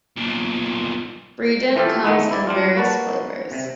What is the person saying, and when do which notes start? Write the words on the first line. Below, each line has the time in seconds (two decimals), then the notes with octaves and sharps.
Freedent comes in various flavors.
0.16 B1 A#2
1.76 E3 A3 F4 G4 A4
2.04 D#3 G#3 A3 B3 D#4 E4
2.31 E4 D5
2.47 G3 D4 F4
2.76 A#3 F#4 B4 A5
3.52 C3